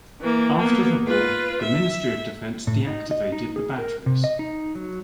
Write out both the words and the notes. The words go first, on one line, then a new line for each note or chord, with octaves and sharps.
After the war, the Ministry of Defence deactivated the batteries.
E3 A#3
A#3 B3
F4 B4
E5
A2
D#4
D#5
D#4
G#4
A#4
C3
D#5
D#4
F#3